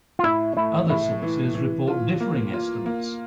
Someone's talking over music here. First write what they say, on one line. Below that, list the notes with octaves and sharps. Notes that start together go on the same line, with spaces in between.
Other sources report differing estimates.
F4
A2 E4
A3 E4
A2 E4
E3
E3
F4
A#3
F4
A#3